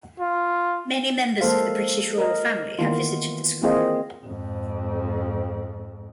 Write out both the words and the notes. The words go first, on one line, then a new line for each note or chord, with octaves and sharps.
Many members of the British Royal Family have visited the school.
F4
F3 G#3 A#3 A4 C5 F5
A#4 D#5
D#3 E3 A#3 B3 F4
E3 A#3 C4 F4 G#4 D#5
F2 G#2